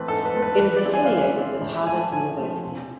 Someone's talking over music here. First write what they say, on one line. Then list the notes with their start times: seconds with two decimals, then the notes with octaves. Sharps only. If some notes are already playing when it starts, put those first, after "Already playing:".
It is affiliated with Harvard University.
Already playing: E3 A3 C4 B4
0.08 G#2 A4
0.25 B4
0.34 E3 A3 C4
0.42 B4
0.60 E3 B4
0.77 D5
0.85 G#3 C4 E4
0.94 G#5
1.06 E3 F5
1.17 G#5
1.36 G#3 C4 E4
1.61 A2
1.74 E5
1.87 F3 G#5
1.91 A3
2.00 A5
2.12 A2 G#5
2.37 F3 A3
2.63 C3